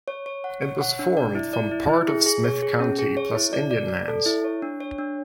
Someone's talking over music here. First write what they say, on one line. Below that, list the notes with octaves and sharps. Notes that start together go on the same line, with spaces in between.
It was formed from part of Smith County plus Indian lands.
C#5
C#5
F#5
C#5
F#5
D4
D5
E4
D5
E4
E4
G#4
G#4
C#5
G#4
C#4
G#4
C#5
E4
D5
D5
D5
A4
E4
C#5
D4
C#5
D4